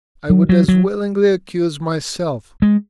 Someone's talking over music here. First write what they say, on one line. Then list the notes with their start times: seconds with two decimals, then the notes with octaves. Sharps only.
I would as willingly accuse myself!
0.30 F#3
0.49 F#3
0.68 F#3
2.62 G#3